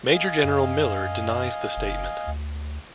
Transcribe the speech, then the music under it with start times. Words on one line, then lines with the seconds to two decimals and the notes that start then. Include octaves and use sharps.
Major General Miller denies the statement.
0.11 D#5 F5 G#5
0.44 F#2
1.77 F#1
2.27 D2